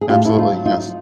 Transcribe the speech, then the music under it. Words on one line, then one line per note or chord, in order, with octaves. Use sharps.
Absolutely, yes.
G#4
A2 F4 G4
E4
D#4 F4
F#3
D#4 F4